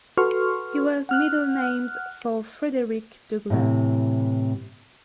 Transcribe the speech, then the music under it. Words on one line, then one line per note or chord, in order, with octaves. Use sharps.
He was middle-named for Frederick Douglas.
F#4 A4 B4 C6 C#6 F6
F#5 F6 F#6
A2 C3 E3